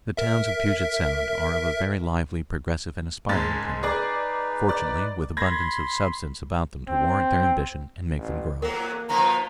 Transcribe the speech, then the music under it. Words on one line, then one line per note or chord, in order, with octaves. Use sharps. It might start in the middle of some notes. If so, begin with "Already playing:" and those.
The towns of Puget Sound are of a very lively, progressive, and aspiring kind, fortunately with abundance of substance about them to warrant their ambition and make them grow.
A#4 E5
F#1 G#2 G#5 A6
D#4 G#4 B4 D5
D5
B5 C6 G#6 A#6
C4
A1
E2 F#3 A#3 A#4
B2 F3 D#4 A#5